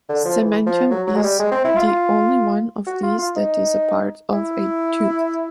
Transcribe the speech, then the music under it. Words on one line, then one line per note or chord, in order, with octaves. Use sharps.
Cementum is the only one of these that is a part of a tooth.
D3
F3
E3
F3
F#3
F#3
G#3
G3
G#3
C4
E4
F4
F4
F#4
F4
F4
D#4
E4